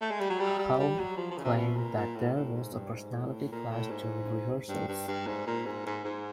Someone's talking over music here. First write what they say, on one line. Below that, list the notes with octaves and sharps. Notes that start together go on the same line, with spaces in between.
Helme claimed that there was a personality clash during rehearsals.
A3
G#3
G3
F#3
G3
G3
G3
F#3
F3
F3
C#3
C3
B2
A#2
A#2
A2
A2
G#2
G2
G#2
A2
A#2
A2
G#2
G2
G2
G2
G#2
A#2
G#2
G#2
G#2